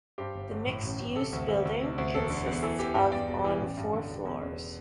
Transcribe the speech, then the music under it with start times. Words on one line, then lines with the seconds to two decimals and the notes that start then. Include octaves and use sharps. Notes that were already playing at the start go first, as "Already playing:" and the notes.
The mixed use building consists of on four floors.
0.18 G2 G4 C5
0.35 G1
0.51 G1
0.67 A2
0.83 A1
1.00 A1
1.15 C3 A4
1.33 D2
1.48 D2
1.65 D2
1.81 C3
1.98 D2
2.14 E1 A4
2.30 D3
2.46 E2
2.62 E3 A4
2.79 E3 G4
2.95 G2 G4
3.12 E2 D5 G5
3.28 E1
3.44 E3
3.61 A1
3.77 G2
3.93 D3
4.09 E1
4.25 E2
4.42 E2